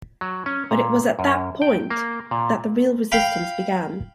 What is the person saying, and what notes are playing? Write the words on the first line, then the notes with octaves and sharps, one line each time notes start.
But it was at that point that the real resistance began.
F#3
C#4
A#2
F#2
G5
A#3
A#2
F5 G5 B5